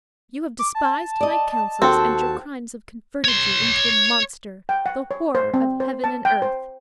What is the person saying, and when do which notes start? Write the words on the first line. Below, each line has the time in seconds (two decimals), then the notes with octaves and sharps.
You have despised my counsels and your crimes have converted you into a monster, the horror of heaven and earth.
0.59 D6
0.75 A5
1.21 D5 D#5
1.82 D#2 C4 F#4 A4
3.24 C#5 C6
4.69 G5
4.86 F#5
5.11 C#5
5.35 C5
5.54 C4
5.80 C5
6.04 A5
6.25 G5
6.42 C5